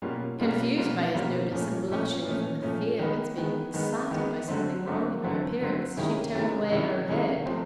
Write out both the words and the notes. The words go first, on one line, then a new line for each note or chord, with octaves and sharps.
Confused by his notice, and blushing from the fear of its being excited by something wrong in her appearance, she turned away her head.
B2 G3 A#3 C#4 F4
B2 G3 A#3 C#4 F4
B2 G3 A#3 C#4 F4
B2 G3 A#3 C#4 F4
A#2 F3 A3 C#4
A#2 F3 A3 C#4
A#2 F3 A3 C#4
A#2 F3 A3 C#4
D#3 G#3 B3
D#3 G#3 B3
D#3 G#3 B3
D#3 G#3 B3
D3 F#3 A3 C4
D3 F#3 A3 C4
D3 F#3 A3 C4
D3 F#3 A3 C4
C3 D#3 G#3 C#4 E4
C3 D#3 G#3 C#4 E4
C3 D#3 G#3 C#4 E4
C3 D#3 G#3 C#4 E4
C3 F3 A3 C4